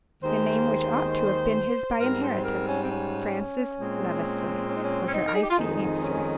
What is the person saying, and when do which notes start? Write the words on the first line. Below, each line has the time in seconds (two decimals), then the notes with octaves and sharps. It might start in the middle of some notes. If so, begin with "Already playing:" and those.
"The name which ought to have been his by inheritance--'Francis Levison,'" was her icy answer.
0.22 D#2 D#3 G#3 C5
2.01 G#2 G3 C4 A#4
2.23 C5
2.45 A#4
2.68 C#4
2.83 C4
2.90 C#4
3.79 A#2 G#3 C4
4.68 C#4
4.75 D#4
4.83 C#4
5.08 C#4
5.14 D#4
5.28 A#4
5.35 G#4
5.43 G4
5.50 F4
5.58 F2 D#3 G#3 D#4
6.03 C#4